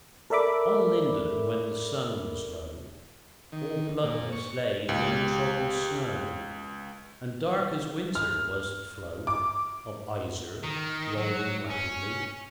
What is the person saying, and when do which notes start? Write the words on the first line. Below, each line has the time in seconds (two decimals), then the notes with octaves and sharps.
On Linden, when the sun was low, All bloodless lay the untrodden snow; And dark as winter was the flow Of Iser, rolling rapidly.
0.30 A4 A#4 D5 E5 B5 D6
3.52 D#3
4.04 A#2
4.32 C#6
4.89 C#2 G4
8.15 F6
9.27 D6
10.63 D#3
11.18 F#3
11.70 C#4